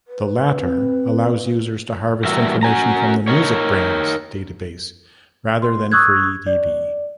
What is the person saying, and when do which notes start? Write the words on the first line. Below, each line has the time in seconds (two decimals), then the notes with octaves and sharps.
The latter allows users to harvest information from the MusicBrainz database rather than freedb.
0.08 B4
0.60 C4
2.25 E3 G3 F#4 A#4 E5
2.63 C#4 F#4 G#5 A#5
3.28 D#4 A#4 C#5
5.62 C6
5.92 C#6 D#6 E6 F#6 G#6
6.46 D5